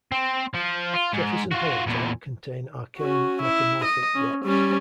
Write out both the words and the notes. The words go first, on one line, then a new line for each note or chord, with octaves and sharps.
Jefferson-Hollowtop contain Archean metamorphic rocks.
C4
F3
F4
G#2
F4 F#4
E2 A#2
C#4 F#4
E4
D#5
C#4
G3 C#4